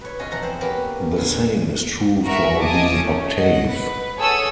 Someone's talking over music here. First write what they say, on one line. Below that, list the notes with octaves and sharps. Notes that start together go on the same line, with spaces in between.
The same is true for the octave.
B4 C#5
B2 C#4 F4 G#4 D#5 C6
E3 F3 F#5 A#5 C6
C4 C5
A#3 B3 C#4 G4 A#4 B4
A#2 D3 C#4 F4 G#4
F#4 A#4 E5 C#6
D#5 F5 G#5 A5 D6 D#6
A3 C#4
D#5 F#5
B4
G#4 A4 C#5 F#5 D#6 E6